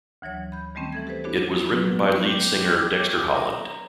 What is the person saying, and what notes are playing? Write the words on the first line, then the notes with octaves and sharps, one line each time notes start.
It was written by lead singer Dexter Holland.
D2 E3 F#3 C#5
B5 G6
D#3 G3 A3 C4 C#4
E3 A4 G#6
G4 A4 B4 C5
B3 D4 E4 F#4 G4 C#5
F#3 B3 B4
G4
C#5
A#5